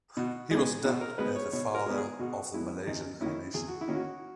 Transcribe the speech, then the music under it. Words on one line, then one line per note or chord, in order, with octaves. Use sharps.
He was dubbed as the "Father of the Malaysian animation".
B2 F#4
G#3 B3 G#4
B2 F#4
A#4
G#3 B3 B4
C#5
B2 C#5
A#4
G#3 B3
G#4
B2 F#4
G#3 B3 E4
E2 D#4
D#3 A#3 C#4 E4
E2 G#4
F#4
E4
D#3 A#3 C#4
F#4